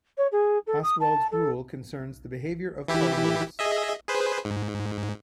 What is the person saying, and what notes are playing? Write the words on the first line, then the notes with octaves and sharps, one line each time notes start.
Ostwald's rule concerns the behaviour of polymorphs.
C#5
G#4
A4
D#6
A5
A4
E3 E4 G4
G#4 D#5 E5
G#4 B4 C5
G#2